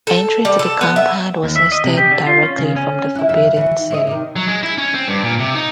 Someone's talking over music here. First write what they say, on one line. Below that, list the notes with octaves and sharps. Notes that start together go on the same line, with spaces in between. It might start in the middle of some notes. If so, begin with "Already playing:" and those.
Entry to the compound was instead directly from the Forbidden City.
A4
G3
A4
B3
E5
D#2
E5
D#5
C3
G4
D3
F4
C#4
C#3
C#4
E4 F#4
F2 C#3 E5
E3 F#4
D#3
E4 C#5 D#5
C3 D#3
F#3
G#3
E4
C#4
C4
G2
A#2
C3
D#4